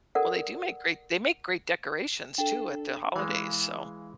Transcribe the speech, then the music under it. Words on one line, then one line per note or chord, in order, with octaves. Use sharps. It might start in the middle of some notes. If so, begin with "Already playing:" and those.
Well, they do make great they make great decorations too at the holidays, so,
A4 A#4 D5 F#5
D4 A4 G5
E3 G#3 F5